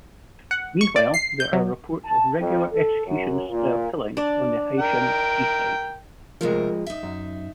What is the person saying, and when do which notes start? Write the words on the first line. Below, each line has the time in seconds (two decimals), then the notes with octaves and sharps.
Meanwhile, there are reports of regular execution-style killings on the Haitian seaside.
0.51 F#5
0.81 C#6
0.96 D5
1.14 C7
1.40 G6
1.53 F#3
2.04 A5
2.39 F2
2.71 A4
3.07 F#2
3.49 A#2
4.17 D4 D5
4.79 A#4 G5
6.41 C3 F3 G#3 A3 A#4
6.86 D#4 E5
7.03 F#2